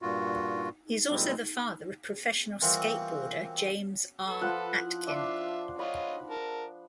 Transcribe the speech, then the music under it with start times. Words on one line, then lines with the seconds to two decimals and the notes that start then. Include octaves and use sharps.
He is also the father of professional skateboarder James R. Atkin.
0.02 G2 A#2 F4 F#4
1.10 A#2 F3 G3 G#3 C4
2.62 E3 G3 A#3 C4 F4 F#4
4.27 A4 B4
4.41 F3 F#5 E6
5.07 D4 F4 E5 C6
5.79 F4 C#5 D#5 B5
6.31 A#4 A5